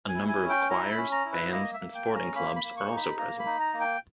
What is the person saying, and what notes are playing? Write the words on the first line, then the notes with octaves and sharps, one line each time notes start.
A number of choirs, bands and sporting clubs are also present.
G#5
E4
G#5
C#4
G5
E4 A#5
B5
C#4
A#5
E4
B4
A#3 D#5
E5
A#3
G5
C#4
A#5
A#3 B5
B5
A#3
C#6
D#4
B5
A#3 A#5
B5
D#4
A#5
A#3
G5